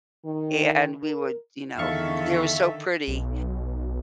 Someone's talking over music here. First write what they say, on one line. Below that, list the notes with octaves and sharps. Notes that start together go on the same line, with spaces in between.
and we would, you know, they were so pretty,
D#3
A#4
E2 D3 D#3 A4 E5 F5 C#6
B1